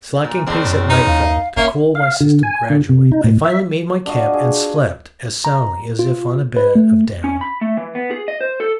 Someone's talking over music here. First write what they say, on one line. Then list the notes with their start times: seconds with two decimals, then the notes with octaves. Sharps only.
Slackening pace at nightfall to cool my system gradually, I finally made my camp and slept as soundly as if on a bed of down.
0.24 A#2
0.47 E2 C#3 C4
0.65 F#2
0.90 D#4 B4
1.07 D#2 F5
1.57 F#1 A#3 C#4 E5
1.95 F5
2.20 D3
2.43 G#5
2.70 D3
2.89 C3
3.12 D#4
3.24 A2
3.45 E5
4.06 D4 F4 F#4 D#5
4.34 G#4
5.45 A#5
5.99 F4
6.57 B4
6.75 A3
7.24 C#4
7.41 B5
7.61 A3
7.77 E3
7.95 B3
8.11 G#4
8.28 D#5
8.41 C5
8.60 A4